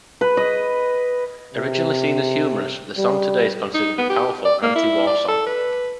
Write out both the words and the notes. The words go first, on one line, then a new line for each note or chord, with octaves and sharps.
Originally seen as humorous, the song today is considered a powerful anti-war song.
B4
D#5
C3
G3
D#4
B3
G4
D5
A#3
E4
D5
A4
B4